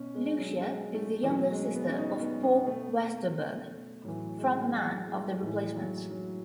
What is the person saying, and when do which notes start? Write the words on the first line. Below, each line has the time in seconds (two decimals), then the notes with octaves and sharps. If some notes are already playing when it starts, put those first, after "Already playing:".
Lucia is the younger sister of Paul Westerberg, front man of The Replacements.
Already playing: B2 C#4
0.15 G#3
0.38 F#3
0.60 G#3
0.94 A3
1.23 E3
1.29 B2 F#3
1.52 G#3
1.75 B3
1.89 C#4
1.98 D#4
2.10 C#4
2.21 B3
2.44 B3
2.67 B2 A3
4.04 A2 E3 F#3
4.38 G#3
4.73 F#3
5.07 G#3
5.30 A3
5.41 A2 E3 G#3
5.76 F#3
6.10 F#3